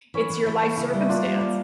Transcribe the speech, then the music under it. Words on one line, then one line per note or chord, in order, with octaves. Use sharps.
it's your life circumstance.
E3 C#4
E3
E3
A#3
C#3 E4
G3
A#3 D4 F4
G3
A#3